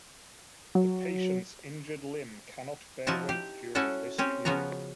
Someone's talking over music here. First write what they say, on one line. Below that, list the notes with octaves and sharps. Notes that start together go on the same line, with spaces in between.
The patient's injured limb cannot bear weight during this period.
F#3
F3 D#4 E4 F#4 A5
G4
C#4 E4 F#4 A4 F#5
C4 C#4 G4
C#3 F3 B3 F#4 A#5